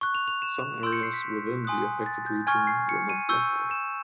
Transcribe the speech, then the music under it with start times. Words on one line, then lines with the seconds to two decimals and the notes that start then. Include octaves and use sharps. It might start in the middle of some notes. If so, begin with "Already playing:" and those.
Some areas within the affected region were not blacked out.
0.01 C#6 F#6
0.15 F7
0.28 F7
0.42 E7
0.83 C6 E6 G6 D7
0.93 C#7
1.03 C7
1.13 B6
1.65 G#5 C6 D#6 F#6
2.06 A6
2.26 G6
2.47 G#5 C#6 F6 G#6
2.67 C7
2.89 C#7
3.09 D#7
3.29 C#6 E6 G6
3.71 E7